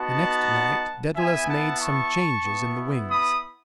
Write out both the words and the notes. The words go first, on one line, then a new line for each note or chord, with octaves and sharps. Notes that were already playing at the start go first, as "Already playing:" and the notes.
The next night Daedalus made some changes in the wings.
Already playing: B3 D#4 F#4 F#5 A5
B3 E4 E5 G#5
F#5 A5
A5 C#6
B3 E4
B5 D#6